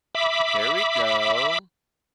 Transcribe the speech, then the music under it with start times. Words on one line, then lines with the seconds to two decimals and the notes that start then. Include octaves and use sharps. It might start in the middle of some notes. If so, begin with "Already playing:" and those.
There we go.
0.15 E5 B5 D6